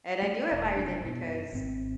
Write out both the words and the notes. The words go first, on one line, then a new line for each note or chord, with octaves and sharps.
and I do admire them because
A3
E1
F1 F#2 D4
F#2 B2 B3
G#1 C4